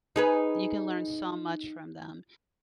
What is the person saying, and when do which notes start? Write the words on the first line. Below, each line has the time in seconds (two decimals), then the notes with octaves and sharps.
You can learn so much from them,
0.16 D#4 G#4 B4